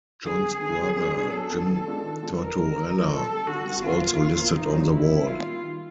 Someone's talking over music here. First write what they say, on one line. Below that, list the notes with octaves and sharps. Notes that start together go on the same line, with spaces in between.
John's brother Jim Tortorella is also listed on the wall.
D3 G#4
G3 B3
D3 G#4
G3 B3
F#3
B3 D4
F#3 A4
B3 D4
D#3
G#3 B3 D4 F4
D#3
G#3 B3 D4 F4
D3 A#4
F3 G#3 C#4 F4
D3
F3 G#3 C#4 F4
D3 A4
G3 B3
D3 F#4
G3 B3
C#3 F4
F3 A#3
C#3
F3 A#3
B2 D#4
F#3 B3 D4 F4
B2 E4
F#3 B3 D4 F4
D#3 F4
G3 A#3
D#3